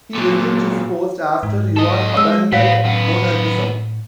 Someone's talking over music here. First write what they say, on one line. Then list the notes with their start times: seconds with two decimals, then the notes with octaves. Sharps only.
He resumed his post after Yuan abandoned monarchism.
0.15 A#2 F#3
1.43 G#2
1.77 A4 D#5
2.17 G#3 E6
2.52 A2 B3 C4 F5 B6
2.85 F#2 B3